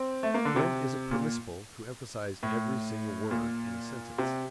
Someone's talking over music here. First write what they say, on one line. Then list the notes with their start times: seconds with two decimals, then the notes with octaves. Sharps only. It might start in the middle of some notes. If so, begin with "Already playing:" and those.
When is it permissible to emphasize every single word in a sentence?
Already playing: C4
0.23 A3
0.34 A#3
0.45 D3
0.56 C3
1.11 A#2
2.43 A2
3.31 A#2
4.18 C3